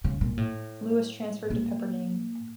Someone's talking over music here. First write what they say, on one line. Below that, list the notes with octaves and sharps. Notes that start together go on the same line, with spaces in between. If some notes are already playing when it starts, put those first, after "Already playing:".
Lewis transferred to Pepperdine.
C#3
A#2
A2
A#2